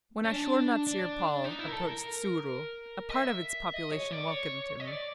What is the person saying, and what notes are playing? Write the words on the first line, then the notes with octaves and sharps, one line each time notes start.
When Ashur-natsir-pal approached Suru, a part of its population welcomed him.
C#4
D4
D4
D#4
E4
A#4
A4
A#4
D#5
E5
D#5
C#5
D5
C#5
D#5
D5